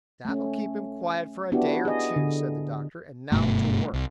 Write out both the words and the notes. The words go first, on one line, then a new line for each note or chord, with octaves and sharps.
"That will keep him quiet for a day or two," said the doctor, "and now to work!"
A3 C#4
B3 D4 E4 F#4 G4
G#4 D#5
D3
F#1 G2 B2 A3
C2